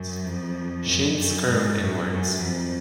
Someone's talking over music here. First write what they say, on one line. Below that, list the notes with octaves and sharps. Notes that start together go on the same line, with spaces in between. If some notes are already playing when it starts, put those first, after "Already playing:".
Shins curve inwards.
Already playing: F#2
F2
F#2
F#2
G#2
F#2
F#2
F2